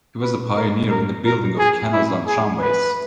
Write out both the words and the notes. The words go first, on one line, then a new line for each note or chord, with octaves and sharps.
He was a pioneer in the building of canals and tramways.
B4
A#4
A#4
A#4
G#4
E4
G#4
B4